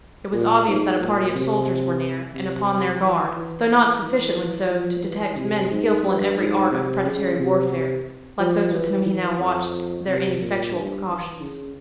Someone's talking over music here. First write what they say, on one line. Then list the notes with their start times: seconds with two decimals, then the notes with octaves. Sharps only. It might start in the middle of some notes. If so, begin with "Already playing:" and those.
It was obvious that a party of soldiers were near, and upon their guard, though not sufficiently so to detect men skilful in every art of predatory warfare, like those with whom he now watched their ineffectual precautions.
0.33 A#2
0.67 G#2
1.00 A#2
1.35 C3
2.34 C3
3.02 E3
3.36 E3
4.03 E3
4.69 F3
5.03 E3
5.36 C3
5.70 G#2
6.04 G2
6.37 G#2
6.71 C3
7.04 C#3
7.39 C3
7.71 C3
8.39 F3
8.72 E3
9.05 E3
9.39 F2
10.07 C3
10.41 A#2
10.73 G2
11.07 E3
11.41 C#3